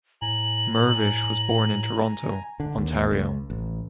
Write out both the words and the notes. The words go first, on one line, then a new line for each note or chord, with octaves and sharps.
Mirvish was born in Toronto, Ontario.
A2 G#5 A#5 F#7
D3
D#2
C#2
A1